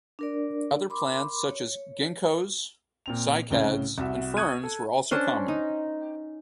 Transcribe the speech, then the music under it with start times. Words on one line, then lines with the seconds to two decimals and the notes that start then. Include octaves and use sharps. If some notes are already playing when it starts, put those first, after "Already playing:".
Other plants, such as ginkgoes, cycads, and ferns were also common.
0.19 D4 A#4 D5
0.89 A#4 B5 C6 D6
1.49 C#5
3.06 A#2 C4 F7
3.50 C2 A2 C#3 C#4 G7
3.98 C2 F#4 E5
4.37 C#6 D#6 F#6 G#6 D#7
4.63 A4
5.11 C#4 D4 C5
5.48 D#4